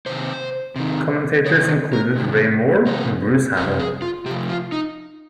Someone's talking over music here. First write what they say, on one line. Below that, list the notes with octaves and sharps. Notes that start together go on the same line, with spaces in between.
Commentators included Ray Moore and Bruce Hammal.
C3 D#3 C5
C3 D#3
C3 D#3 C#5
A#4
C3 D#3
C3 F3 A#4
C3 F3 A#4
G#4
F4
C3 F3 G4
F4
D#4